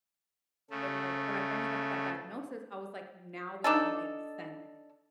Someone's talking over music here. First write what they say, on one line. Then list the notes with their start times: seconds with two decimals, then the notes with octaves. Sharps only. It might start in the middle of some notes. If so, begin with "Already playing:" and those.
and like, when I finally got that diagnosis, I was like, "Now it all makes sense."
0.70 C#3 A3
3.64 D4 D#4 A4